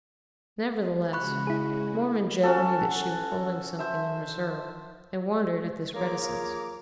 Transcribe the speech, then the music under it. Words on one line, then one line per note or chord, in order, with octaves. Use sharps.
Nevertheless, Mormon Joe knew that she was holding something in reserve and wondered at this reticence.
C#3 G#3 F#4 B5 C#6 F#6
E4 G#4
C#4 F#4 A4
C5 E5
A#3 F4 G#4 C#5 A#5 D6